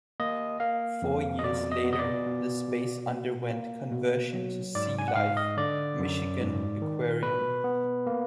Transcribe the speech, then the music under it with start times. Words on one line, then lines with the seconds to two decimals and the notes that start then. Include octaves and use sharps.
Four years later, the space underwent conversion to Sea Life Michigan Aquarium.
0.20 A#3 D#5
0.60 A#3 F5
1.02 F2
1.39 D#5
1.43 B2 D5
1.72 D#5
1.84 B3
1.93 D#5
1.99 D5
2.26 B2
2.68 B2
3.09 A#3
3.51 A#3
3.91 B2
4.33 F#3
4.75 G#2 D5
4.99 G#5
5.08 F#5
5.16 G#2 F5
5.37 D#5
5.57 D3 D5
5.99 F#2
6.40 G#2
6.82 D#3
7.23 B2 B4
7.64 B3
8.07 A#3